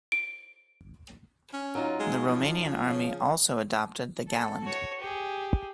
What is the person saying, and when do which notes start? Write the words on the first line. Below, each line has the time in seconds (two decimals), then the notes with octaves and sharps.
The Romanian Army also adopted the Galand.
0.12 D7
1.53 C#4
1.75 F#3 D#4 F4
1.99 G#3
2.27 F3
2.88 C#3
4.28 A4
4.64 F#4 C#5
4.99 G4 G#4